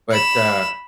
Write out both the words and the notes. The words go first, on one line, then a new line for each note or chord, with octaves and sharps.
But, uh
B5 E7